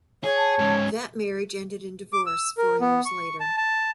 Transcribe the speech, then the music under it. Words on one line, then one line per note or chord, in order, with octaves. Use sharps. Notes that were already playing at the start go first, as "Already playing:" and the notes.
That marriage ended in divorce four years later.
G#4 C#5
A5
G#2 C#3
D6
E6
A#4
B3
C#6
A5
A5